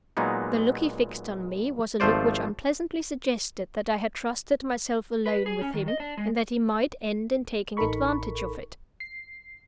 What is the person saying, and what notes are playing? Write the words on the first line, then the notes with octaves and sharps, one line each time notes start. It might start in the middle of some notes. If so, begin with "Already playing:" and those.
The look he fixed on me was a look which unpleasantly suggested that I had trusted myself alone with him, and that he might end in taking advantage of it.
A#2 F#3 G#3 A#3 B3 D#4
G#1 F3 A3 F4 C5 D5
B4
G#4
C#4
D#3
D#5
D4
G#3
A1 D#4 A4 A#4 B5 C#6
C7